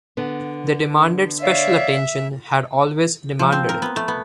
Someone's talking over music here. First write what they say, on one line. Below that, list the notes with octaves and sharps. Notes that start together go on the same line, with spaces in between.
They demanded special attention, had always demanded it.
D3 B3
C#5 D5 E5 F5
F3
C4
A#4
B3
A3
B3